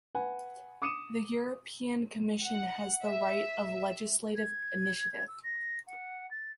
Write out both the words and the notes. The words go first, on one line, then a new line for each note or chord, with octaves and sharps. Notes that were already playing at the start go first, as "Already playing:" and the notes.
The European Commission has the right of legislative initiative.
B4 F#5 G#5
D6 D#6 C#7 D#7 E7
F#5
E5
G#6
E6
A#6
F#5
A6